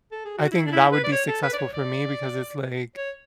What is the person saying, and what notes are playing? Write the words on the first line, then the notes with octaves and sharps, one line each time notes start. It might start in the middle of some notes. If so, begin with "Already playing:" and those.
I think that would be successful for me because it's like,
A4
G#4
F#4
E4
D4
E4
B4
D5
C#5
A4
B4
D5
C#5
D5
C#5